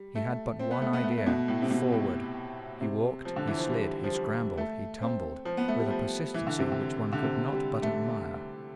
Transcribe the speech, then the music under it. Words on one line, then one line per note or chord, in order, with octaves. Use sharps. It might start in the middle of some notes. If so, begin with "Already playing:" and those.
He had but one idea--forward! He walked, he slid, he scrambled, he tumbled, with a persistency which one could not but admire.
Already playing: G3
A3
C4
B3
A3
B3
A3
B3
A3
B2
A2
C3
B2
A2
C3
F3
D3
E3
F3
G3
F3
G3
A3
C4
F3
B3
A3
G3
F3
E3
D3
C3
D3
D3
C3
G3
A3